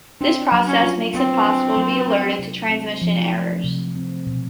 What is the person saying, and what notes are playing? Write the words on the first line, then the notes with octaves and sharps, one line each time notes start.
This process makes it possible to be alerted to transmission errors.
C4 D4
F#3
C#4
F4
B3 C4
D4
F#3
A3
C3
C4
F3
A3
C3
C4
B2